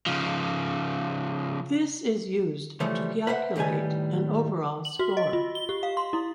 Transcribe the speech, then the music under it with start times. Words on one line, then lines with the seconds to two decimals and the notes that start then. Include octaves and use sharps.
This is used to calculate an overall score.
0.07 C#3 F3
2.80 C#3 E3 F3 G3 A3
3.27 B4 C5 E5 F#5
3.56 A2 D#3 G3 B4 G#5
4.85 F#7
4.99 F#4
5.17 D#5
5.33 F4
5.55 G7
5.69 G4
5.83 F5
5.97 C6
6.13 E4